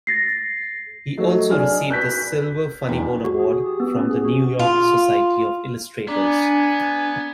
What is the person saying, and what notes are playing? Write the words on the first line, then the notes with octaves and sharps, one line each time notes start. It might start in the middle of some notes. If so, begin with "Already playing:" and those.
He also received the Silver Funnybone Award from The New York Society of Illustrators.
A6 A#6 C7
F#3 A3 D#4
D4 G#4 D5 G#5 F6
F#4 B4 F#6 G6 B6
E2 D#3 D4
F#4
G#4
D#6
G4
B3
C#4
G#4
F#4
F4
B3 D4 D5 G#5 A#5 D6